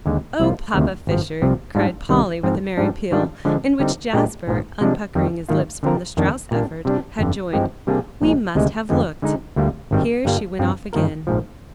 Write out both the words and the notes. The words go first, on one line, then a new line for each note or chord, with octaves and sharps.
"Oh, Papa Fisher!" cried Polly with a merry peal in which Jasper, unpuckering his lips from the Strauss effort, had joined, "we must have looked"--Here she went off again.
D#2 D3 G#3
C2 C3 F3 A#3 F4
D2 C3 D#3
G#1 G2 F3
C2 C3 F3 C4
G#2 G3 D4 F4
C2 C3 D#3 G3
G#2 F3 C4
G#2 G3 D4
G#2 D#3 G3 D4 F4
D3 F3 G#3 D4
D3 G3 C4 D#4
A#2 G#3 D4 G4 A#4
A#1 G#2 F3
C3 F3 G#3 D4
F2 D#3 G3
G#2 D#3 A#3 F4
D3 F3 C4 F4 A#4
F2 D#3 A#3 D4
A#2 G3 A#3 D4
C3 G3 D4
G1 F2 D3
G2 F3 G#3 C4 G4
C3 G3 A#3 D4 G#4
A#1 A#2 G#3
D2 C3 D#3 G#3
F2 D3 F3 G#3 C4
D3 G#3 D#4
D2 D3 G3 A#3 F4
G#1 G2 D#3 G3 C4
G2 D3 G3 A#3 F4
G2 F3 C4 F4
G2 D#3 A#3 F4 A#4
A#1 G#2 F3